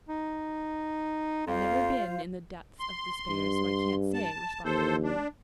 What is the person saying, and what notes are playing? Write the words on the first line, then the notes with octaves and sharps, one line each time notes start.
"I've never been in the depths of despair, so I can't say," responded Marilla.
D#4
F2 F4 C5 F5
C6
G2
A5
D#2 A4 C5
D4